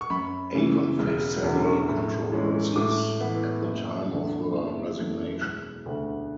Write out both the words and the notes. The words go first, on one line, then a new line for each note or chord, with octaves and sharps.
Avon faced several controversies at the time of her resignation.
C#6
F#2 B5
C#3 E3
E1
E2 D3
A2
E3 G#3 C#4
A2 D6
E3 B3 E4
F#1
E2 D3
F#1
F#2 E3 A3
E1 F#6
D2 D3